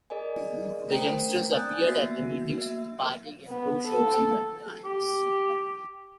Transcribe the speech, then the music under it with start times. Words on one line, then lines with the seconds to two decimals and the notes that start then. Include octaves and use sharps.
The youngsters appeared at meetings of the party in blue shirts and red ties.
0.10 G#4 A#4 D5 D#5 G#5
0.88 A3 A#4 C5 G5 A#5
1.51 D5 G#5 D#6 F#6 G6 A6
1.87 A#3 B3 F#4 E5 A#6 C7
2.58 A#3 E5
3.49 B3
3.87 A4
4.85 G4